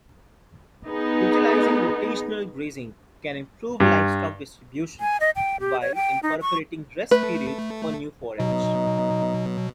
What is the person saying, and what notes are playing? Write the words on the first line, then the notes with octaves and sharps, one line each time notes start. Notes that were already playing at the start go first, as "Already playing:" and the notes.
Utilizing rotational grazing can improve livestock distribution while incorporating rest period for new forage.
B3 D#4 G#4
G2
G#5
D#5
G5
G4
C#5
G5
D#4
C#6
A3 B4
B2 F#3 D#4